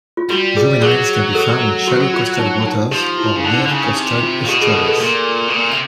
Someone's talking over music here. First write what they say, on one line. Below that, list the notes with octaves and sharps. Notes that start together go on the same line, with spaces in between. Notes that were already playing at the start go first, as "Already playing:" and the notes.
Juveniles can be found in shallow coastal waters or near coastal estuaries.
F4
G3 F#4
G#4
F#3 G#4
A4
F#4
F4
D#4
D#4
F3 G4
E4
C#3
D3 D#4
D#4
D3
C#3 D4
D4
C3 D#4
F4
A#2
B2 G4
G#4
A4
A4
A#2
B2
A#2
C3